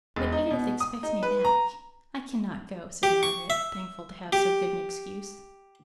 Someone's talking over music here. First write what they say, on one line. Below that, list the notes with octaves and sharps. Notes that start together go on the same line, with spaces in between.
'But Edith expects me back--I cannot go,' said Margaret, thankful to have so good an excuse.
E1
D#4
B2
D#6
D#4
B4
A#5
G4
C#6
E5
G4